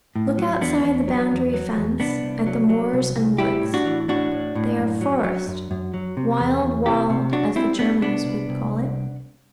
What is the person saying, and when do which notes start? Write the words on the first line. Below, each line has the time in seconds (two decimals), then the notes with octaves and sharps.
Look outside the boundary fence, at the moors and woods; they are forest, Wild--"Wald," as the Germans would call it.
0.16 A2
0.38 F#3
0.61 E2 B3 D4
0.84 E2
1.08 F#3
1.31 E2
1.53 F#3
1.77 E2
2.00 C2 B3 D4
2.23 C2
2.47 F#3
2.69 F#3
2.93 C2
3.16 C2
3.38 G3 E4 G4
3.62 A2
3.74 D4 F#4
3.85 E3
4.08 A2 D4 F#4
4.31 A2
4.55 A2
4.78 F#2
5.01 F#3
5.24 F#3
5.47 F#2
5.71 F#2
5.94 F#3
6.17 C3
6.40 E2
6.63 E2
6.86 C3 E4 G4
7.10 C3
7.32 F#3 D4 F#4
7.55 G3 C4 E4
7.78 B2 B3 D4
8.02 C2 B3 D4
8.25 C2
8.49 C2